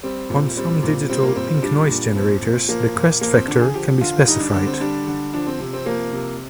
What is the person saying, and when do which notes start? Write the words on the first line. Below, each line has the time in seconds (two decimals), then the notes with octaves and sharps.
On some digital pink-noise generators the crest factor can be specified.
0.03 G3 C4
0.30 A#2
0.57 G3 C4
0.83 A#2
1.09 G3 C4
1.23 A#3
1.36 A#2 C4
1.49 C4
1.62 G3 D4
1.90 A#2
2.15 F3 C4
2.42 A#2
2.69 F3 A#3
2.95 A#2
3.21 F3 A#3
3.35 C4
3.48 D3 D4
3.61 G#4
3.74 F3 G4
4.01 D3 F4
4.27 G3 D#4
4.40 D4
4.54 D3 D4
4.67 C4
4.80 G3 D4
5.07 D3
5.34 F3 D4
5.47 C4
5.60 C3
5.73 C4
5.86 F3 A#3
6.13 C3